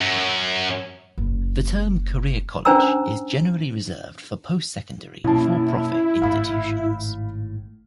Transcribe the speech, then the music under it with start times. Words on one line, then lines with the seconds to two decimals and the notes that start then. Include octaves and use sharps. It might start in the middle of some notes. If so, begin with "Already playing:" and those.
The term "career college" is generally reserved for post-secondary for-profit institutions.
0.01 F#2
1.18 F#1
2.65 C#4 D4 C5 G#5 A#5 E6
5.24 F#2 B2 A#3 E4 A5
6.22 G#1 A2 F5 B5